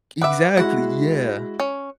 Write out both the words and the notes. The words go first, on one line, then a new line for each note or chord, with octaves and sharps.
Exactly, yeah,
B4 E5 F#5 D6
G#3 E4 F#4 F#5
C#4